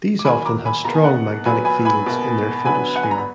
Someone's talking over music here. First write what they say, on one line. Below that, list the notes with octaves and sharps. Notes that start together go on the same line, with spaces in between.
These often have strong magnetic fields in their photosphere.
D6
D#3 F#3 A#3 G#5 B5
A#5 D6
G#5 B5
B2 A#3 A#5
G#5
F#5 A#5
A#2 F#3 B3 G#5 B5
G#5 B5
G#5 B5
B2 A#3
D3 F#3 B3 G#5 B5
F#5
G#5
A#5
B5